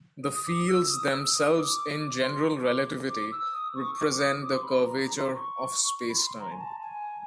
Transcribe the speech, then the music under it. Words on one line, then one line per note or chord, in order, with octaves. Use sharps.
The fields themselves in general relativity represent the curvature of spacetime.
D#6
D6
E6
E6
D#6
E6
D#6
D6
C6
D6
D6
E6
D#6
C#6
D6
D#6
D6
C6
B5
A#5
A#5
C6
C#6
B5
C6
A#5
G#5
A5
G#5